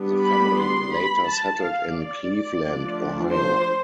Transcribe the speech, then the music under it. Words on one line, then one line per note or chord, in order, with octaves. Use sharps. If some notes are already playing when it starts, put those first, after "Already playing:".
The family later settled in Cleveland, Ohio.
Already playing: G3 B3 D4
B5
C6
B5
A5
F5
D5
F3 A3 D4
C5